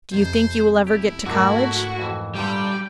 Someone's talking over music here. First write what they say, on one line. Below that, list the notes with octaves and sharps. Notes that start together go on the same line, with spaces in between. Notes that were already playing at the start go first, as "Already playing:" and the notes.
"Do you think you will ever get to college?"
F2 C3 C5
E4 G4
G#2 D3 F#3 A3 C4 F#4 A#4
F2 E3
G2 A#2 D3 G3 G5